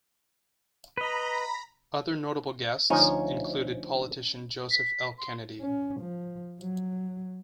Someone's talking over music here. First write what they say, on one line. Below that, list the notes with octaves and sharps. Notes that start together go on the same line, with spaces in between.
Other notable guests included politician Joseph L. Kennedy.
B4 D#5 A#5 B5
D2 F3 C#4 D#4
B6
C6
C#4
F3
F#3